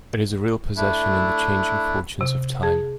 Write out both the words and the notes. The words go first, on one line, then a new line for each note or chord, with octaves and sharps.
It is a real possession in the changing fortunes of time.
A3 D4 E4
C3
G#4 A5